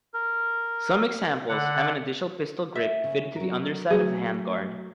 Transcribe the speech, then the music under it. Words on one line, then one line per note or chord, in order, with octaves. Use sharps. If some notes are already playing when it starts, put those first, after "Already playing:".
Some examples have an additional pistol grip fitted to the underside of the handguard.
A#4
D3 F#5
E5
C#3
F#3 A#4
F#3 A3 G#4